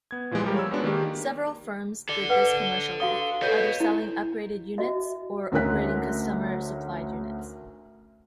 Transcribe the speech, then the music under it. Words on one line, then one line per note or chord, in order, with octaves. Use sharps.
Several firms did this commercially, either selling upgraded units or upgrading customer-supplied units.
B3 G#6
A#2 E3 F3 G3 G#3
F3 G3 G4 A#4
C#5 B5 E6
G#3 B3 D4 F#4
D#3 A#3 G4
A4 D5 G7
B4 F#5
F#4 F5 D#6 G7
A4 B4 C#5 D#5 G6
E4 A#5
F#4 D#5 E5
D2 C#4 D#4 A#4 F#6 B6